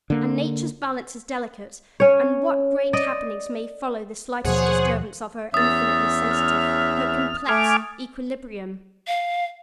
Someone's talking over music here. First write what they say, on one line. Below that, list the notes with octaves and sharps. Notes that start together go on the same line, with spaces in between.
And Nature's balance is delicate; and what great happenings may follow the slightest disturbance of her infinitely sensitive, her complex, equilibrium?
D3 A#3
C#4 C#5
D5 D#5
D#2 B2 F3 G#4 C5 C#5 F#5
E2 C#4 E5 D#6 A6
F6
A3 G#5 D6 F6
F5